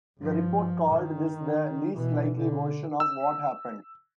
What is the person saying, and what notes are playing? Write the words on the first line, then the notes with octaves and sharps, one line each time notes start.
The report called this the "least likely version" of what happened.
G2 F3
D#3
B2 E3
D3
E6